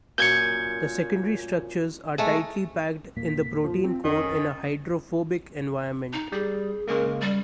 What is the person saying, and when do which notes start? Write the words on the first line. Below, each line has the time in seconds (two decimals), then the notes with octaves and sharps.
The secondary structures are tightly packed in the protein core in a hydrophobic environment.
0.18 F#2 A#2 G6 G#6 C#7
2.18 G#3 A3 D#4
3.16 E2 A#2 A#3 B6
3.64 F3 F4
3.84 C4
4.04 F2 D#3 C#4
4.29 A6
6.13 D#4
6.32 G3 G#4
6.88 C#3 G#3 A#3 A#4
7.21 G3